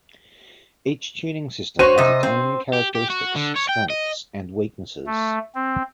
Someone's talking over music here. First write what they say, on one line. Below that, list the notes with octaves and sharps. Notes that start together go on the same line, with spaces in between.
Each tuning system has its own characteristics, strengths and weaknesses.
F#4 C5 C#5 D#7
C3 D#5
C4
G4
G4
F#4
D3
C#5
G5
D#5
A3
C4